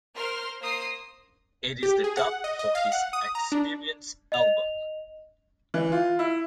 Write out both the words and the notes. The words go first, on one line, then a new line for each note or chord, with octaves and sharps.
It is the dub for his "Experience" album.
A#4 C5 C6 F6
A#3 C5 A#5 D#6 C7
G4
G#4
F#5
D#5
D#5
F5
F#5
D#6
A#5
D4
D#5 F7
E3
F4
E4